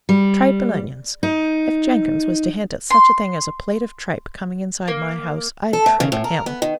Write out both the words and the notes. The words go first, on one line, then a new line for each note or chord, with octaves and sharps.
Tripe and onions! If Jenkins was to hint at such a thing as a plate of tripe coming inside my house, I'd tripe him.
G3
D#4
C6
A#3
A4
A3
C#3
A2
A#4
B3
D#3